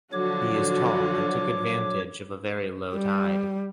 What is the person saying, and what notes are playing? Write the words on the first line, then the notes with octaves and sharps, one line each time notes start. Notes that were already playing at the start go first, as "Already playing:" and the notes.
He is tall and took advantage of a very low tide.
D3 F3 F#3 F#4 C#5 D6
G3